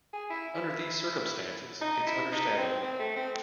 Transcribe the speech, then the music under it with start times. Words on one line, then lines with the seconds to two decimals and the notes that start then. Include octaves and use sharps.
Under these circumstances it's understandable.
0.13 G#4
0.30 E4
0.56 E4
1.82 D#4
2.07 E4
2.32 D#4
2.58 C4
2.83 C4
3.00 A3
3.17 C4